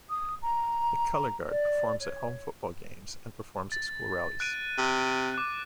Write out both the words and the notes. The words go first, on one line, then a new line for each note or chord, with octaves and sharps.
The Color Guard performs at home football games and performs at school rallies.
D#6
A#5
D5
C#5
A6
F#6 D7 D#7
C3
D6 F#6